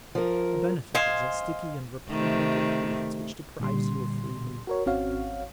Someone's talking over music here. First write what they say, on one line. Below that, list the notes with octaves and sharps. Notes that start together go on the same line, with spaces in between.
A benefit is a sticky and repugnant adherence which deprives you of free movement.
F3 A#4
C5 D#5 F5 G#5
C3 D#3 A3
A#2 D3 G3 C6
F#4 A#4 C#5
G#1 C4 C#4 F#4 C#5 F5